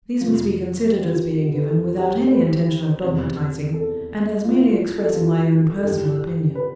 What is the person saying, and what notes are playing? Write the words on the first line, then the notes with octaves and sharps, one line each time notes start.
These must be considered as being given without any intention of dogmatizing, and as merely expressing my own personal opinion.
F2 C3 F3 F4
G4
F4
G4
B4
A4
G4
C5
B4
E2 C3 G3
A4
F4
E4
F4
A4
G4
F4
A4
G2 E3 G3 G4
B4